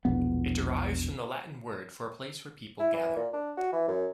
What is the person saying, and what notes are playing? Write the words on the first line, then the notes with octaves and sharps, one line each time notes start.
It derives from the Latin word for a place where people gather.
E1 A#1 B3
E4
E3
A#2
D4
F#4
E3
F#2